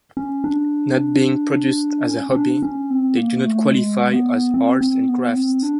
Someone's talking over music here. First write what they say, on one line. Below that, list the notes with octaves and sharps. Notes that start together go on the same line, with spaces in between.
Not being produced as a hobby, they do not qualify as arts and crafts.
C#4
D4
C#4
C#4
D4
C#4
C4
A#3
A3
G#3
B3
C4
C4
B3
C4
D4